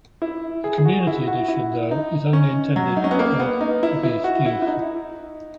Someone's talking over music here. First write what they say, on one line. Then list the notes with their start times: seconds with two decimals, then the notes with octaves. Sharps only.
The "community edition" though is only intended for hobbyist use.
0.22 E4
0.64 G#4
0.78 G#4
0.85 F#4
1.01 F#4
1.07 E4
1.28 F#4
1.48 E4
1.91 D#4
2.33 C#4
2.76 F#3
2.97 D#4
3.04 C#4
3.11 B3
3.19 A#3
3.40 B3
3.61 D#4
3.83 E4
4.03 E4
4.24 F#4
4.46 E4
4.62 E4
4.67 D#4